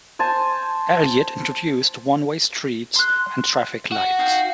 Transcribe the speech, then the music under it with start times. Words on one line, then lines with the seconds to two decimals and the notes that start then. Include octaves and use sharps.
Elliott introduced one-way streets and traffic lights.
0.19 C5 G#5 A5
2.96 C6 F#6
3.92 F#4
4.19 D#4 F5 G5